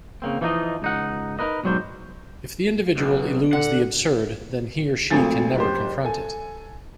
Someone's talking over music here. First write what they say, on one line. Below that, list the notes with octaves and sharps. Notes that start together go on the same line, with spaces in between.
If the individual eludes the Absurd, then he or she can never confront it.
C#3 A#3 C4
E3 F3 C#4 D#4 F4 D#5
C#2 D#4 F#5
D#4 E4 A#4 B4 D#5
B1 G#2 F#3 G3 C5
B1
D3 F#5
G#1 F3 A3 G#5 A6
F#1 G4 C5
A4 G#5